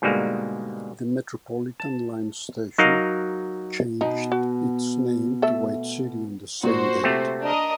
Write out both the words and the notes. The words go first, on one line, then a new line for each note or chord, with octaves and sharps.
The Metropolitan line station changed its name to White City on the same date.
G#2 B2 D3 G3 G#3 A#3
A5
F#3 D#4 F#4 A#4 D#5 F5
B2 D#4 A#5
F#4
A3 A4 E5
A#2 F#4 C5
C3 A3 C4
D4 A#4 D#5